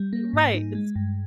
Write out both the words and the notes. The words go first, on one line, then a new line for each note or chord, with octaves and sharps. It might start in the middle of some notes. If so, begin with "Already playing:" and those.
Right, it's
Already playing: G3
A#3
G#2
D#4
G#3
G2